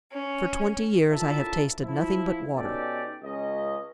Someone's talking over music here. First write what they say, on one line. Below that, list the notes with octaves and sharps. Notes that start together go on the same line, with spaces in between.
"For twenty years I have tasted nothing but water."
C#4
D2 A2 F4 A#4 E5 A5
F3 E4
B2 C#4 D#4 G4 A4 D5
C#2 C#4 D#5